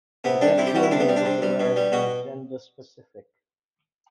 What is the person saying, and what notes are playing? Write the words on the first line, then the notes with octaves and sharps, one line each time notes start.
The actual name of the ranks is gender-specific.
C3 B3
G3 D4
C3 E4
G4
G3 F#4
E4
C3 D4
B3
G3
D4
C3
G3
B2
G3
B2 F#4